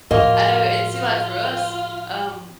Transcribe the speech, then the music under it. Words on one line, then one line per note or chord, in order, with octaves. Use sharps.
I know, and see, like, for us, um
F2 A2 A#3 F4 F#4 D#5